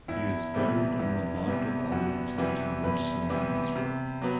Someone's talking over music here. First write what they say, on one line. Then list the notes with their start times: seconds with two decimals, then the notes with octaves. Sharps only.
He is buried on the Mount of Olives in Jerusalem, Israel.
0.08 E2 E4
0.54 C3 E3 G3 B3
0.99 E2
1.46 C3 E3 G3 B3
1.92 E2 F#4
2.38 C3 E3 G3 B3 F#4
2.84 E2 B4
3.29 C3 E3 G3 B3
3.75 C3
4.22 F#3 B3